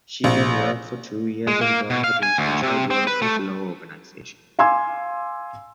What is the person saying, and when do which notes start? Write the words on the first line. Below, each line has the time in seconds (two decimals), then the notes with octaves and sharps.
She then worked for two years in Rome for the International Development Law Organization.
0.24 A#1
1.47 G#3
1.61 A#3
1.90 B2
2.04 F5
2.23 G#5
2.38 D2
2.63 C3
2.90 C4
3.07 B4
3.22 A3
4.59 F5 G#5 C6 D6 E6 G#6